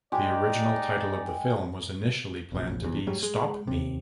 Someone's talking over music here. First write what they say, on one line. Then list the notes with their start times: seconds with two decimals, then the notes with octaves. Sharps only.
The original title of the film was initially planned to be "Stop Me".
0.12 G#3 D#4 G4 D5
2.52 F1 A#1
2.82 F1 E2
3.07 G#2 F#3 G3
3.23 G#3
3.67 D#2 C3